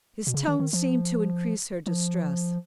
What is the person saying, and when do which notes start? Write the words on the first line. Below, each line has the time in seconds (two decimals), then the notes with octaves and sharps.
His tone seemed to increase her distress.
0.27 B2
0.34 C#3
0.48 D#3
0.60 D#3
0.73 F3
1.87 F3